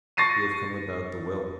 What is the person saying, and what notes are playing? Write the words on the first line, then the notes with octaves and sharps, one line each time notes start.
"We have come about the will."
C#6 A6 A#6 C7 D#7